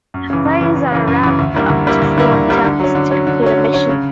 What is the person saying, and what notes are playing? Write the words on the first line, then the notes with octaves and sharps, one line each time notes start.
Players are allowed up to four attempts to complete a mission.
F#2
C#3 E3
F#2
C#3 E3
F#2
C#3 E3
F#2
C#3 E3
D2
D3 G3 A#3 E4
D2
D3 G3 A#3 E4
D2
D3 G3 A#3 E4
D2
D3 G3 A#3 E4
D3
F#3 C#4
D3
F#3 C#4
D3
F#3 C#4
D3
F#3 C#4
C#3